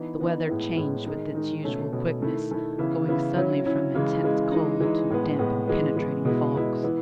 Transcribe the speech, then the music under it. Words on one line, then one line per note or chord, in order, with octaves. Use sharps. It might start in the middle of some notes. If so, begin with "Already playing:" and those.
The weather changed with its usual quickness, going suddenly from intense cold to damp and penetrating fogs.
Already playing: E3 B3 D#4
E3 B3 D#4
A2 G#3 B3 E4
A2 G#3 B3 E4
D#3 G#3 D#4
D#3 G#3 D#4
B2 A3 C#4
B2 A3 C#4
D#3 A3 E4
D#3 A3 E4
C#3 E3 B3 E4
C#3 E3 B3 E4
F#3 C#4 E4
F#3 C#4 E4
C#3 E3 G#3
C#3 E3 G#3
E3 G#3 D#4
E3 G#3 D#4
A2 G#3 B3
A2 G#3 B3
E3 G#3 B3
E3 G#3 B3
B2 G#3 B3 E4
B2 G#3 B3 E4
E3 B3 E4